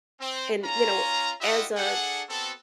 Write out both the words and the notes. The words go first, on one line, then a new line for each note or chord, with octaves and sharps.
and, you know, as, uh,
C4
C#4 F4 A#5
E4 F4 G4 D#5 E5 F#5
D4 G#4 A4 F#5
B3 C4 F#4 A4